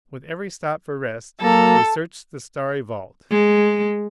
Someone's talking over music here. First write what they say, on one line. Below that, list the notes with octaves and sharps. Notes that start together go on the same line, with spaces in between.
With every stop for rest we searched the starry vault.
F#3 A#3 A4 A#5
G#3